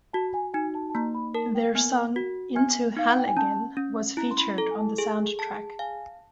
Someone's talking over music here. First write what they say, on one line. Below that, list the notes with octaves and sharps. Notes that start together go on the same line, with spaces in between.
Their song "Into Hell Again" was featured on the soundtrack.
F#4 A5
G#5
D#4 G#5
A5
A5
A#3 A#5
B5
A#4 A5
G5
B3 G#5
F#4
B3 G#5
D#4 F5
F#5
G5
G#5
C#4 A5
C#4
E4 A#5
C6
B5
A4 A#5
G#5
A5
G#4 G#5
A5
F5 G#5